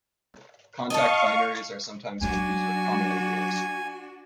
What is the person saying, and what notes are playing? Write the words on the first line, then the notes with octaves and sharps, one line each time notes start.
Contact binaries are sometimes confused with common envelopes.
D#5 F5 G#5 A5 C#6
F#3 C#4 D4 F#4 G#5